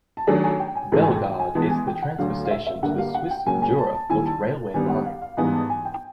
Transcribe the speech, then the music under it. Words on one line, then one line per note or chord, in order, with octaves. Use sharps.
Bellegarde is the transfer station to the Swiss Jura foot railway line.
A5
D#3 F#3 A3 D4 G#5
G#5
G5
G#5
G#2 E3 A3 A5
G#5
G5
G5
G#5
E3 G#3 B3 A5
G#5
G5
F#5
D2 D3 F#3 F5
F5
E5
E5
G2 D3 G3 A#3 F#5
F5
F#5
G5
C#3 F#3 A#3 G#5
G#5
A5
A5
D#2 D#3 G3 C4 E4 G#5
A5
G2 D#3 G3 B3 G#5
F#5
F5
F5
G#2 E3 G3 B3 D#4 G#5
A5
G#5
G5